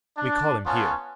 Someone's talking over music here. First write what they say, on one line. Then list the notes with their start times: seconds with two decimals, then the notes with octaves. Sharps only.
We call heem here.
0.18 D4
0.66 B3 C#4 F4 C#5 G#5 A5